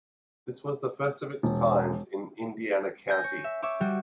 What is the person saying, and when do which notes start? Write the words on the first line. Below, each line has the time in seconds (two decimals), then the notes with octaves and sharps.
This was the first of its kind in Indiana County.
1.43 E1
3.08 G#5 G6 A#6
3.24 C#5
3.44 E5
3.62 C#5 E5 C#6 D6
3.80 G3 F#4